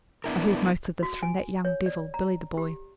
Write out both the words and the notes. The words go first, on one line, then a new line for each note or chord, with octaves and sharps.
'I heard most of this from that young devil, Billy the Boy.
B3 D4 E4 A#4
F#4
G#5
C#5
D5
A#5
G4